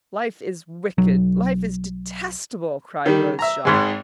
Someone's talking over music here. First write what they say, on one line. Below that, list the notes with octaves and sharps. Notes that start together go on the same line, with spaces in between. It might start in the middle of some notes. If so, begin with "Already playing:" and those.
"Life is wicked--life is detestable!" cried Rose Shaw.
B1 F#3
D#3 G3
E5 A#5
G#1 G#2 G#3